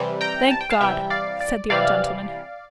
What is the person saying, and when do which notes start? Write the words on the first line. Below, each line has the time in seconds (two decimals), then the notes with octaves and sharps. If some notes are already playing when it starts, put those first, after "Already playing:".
'Thank God!' said the old gentleman.
Already playing: C3 E3 G3
0.21 G5 A#5
0.51 A5
0.61 G5
0.70 F5 A5
0.81 C3 E3 G3 E5 G5
1.10 D5 F5
1.41 D5
1.70 C3 E3 G3 D5 F5